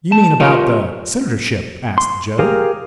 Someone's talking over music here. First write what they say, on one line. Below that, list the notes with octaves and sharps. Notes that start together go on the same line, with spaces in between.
"You mean about the senatorship?" asked Joe.
A5
F4 G4 A#4 C#5 D#5 G5
C6
G4 G#4 A#4 F5